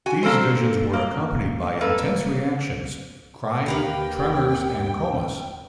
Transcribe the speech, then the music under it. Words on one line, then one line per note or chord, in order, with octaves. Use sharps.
These visions were accompanied by intense reactions: crying, tremors, and comas.
F#4 G#5
D3 A#3 C4 A4 C5
A#3
A#3 A4 B4
D#2 G4 A#4 B4 F5 G5